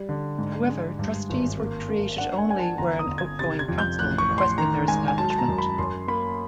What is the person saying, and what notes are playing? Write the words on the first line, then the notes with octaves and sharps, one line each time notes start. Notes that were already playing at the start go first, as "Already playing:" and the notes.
However, trustees were created only where an outgoing council requested their establishment.
Already playing: G3
D3
G#2
G#3
G2
G#1
A#3
A#3
D4 F#5
G#5
D4 G#5
A5
G1 A#5
D#6
G1
G#6
C3 A6
G#6
F2
G6
A1 F#6
C#6
A1
C6
D#3 A#5
G#3 G#5
G#5
F#3 A5
A5
A#5
F#2
B5
F#2 C6
A#3 B5